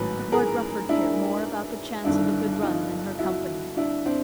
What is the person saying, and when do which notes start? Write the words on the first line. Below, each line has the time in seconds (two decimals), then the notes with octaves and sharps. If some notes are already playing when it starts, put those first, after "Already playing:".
But Lord Rufford cared more about the chance of a good run than her company!
Already playing: A1 G#2 D#3 F#3 B4
0.32 G#4 A#4
0.89 D4 E4
2.04 G1 G2 D#3 D4 E4
2.62 D#4 F4
3.19 E4 F#4
3.77 D4 E4
4.06 C4 D4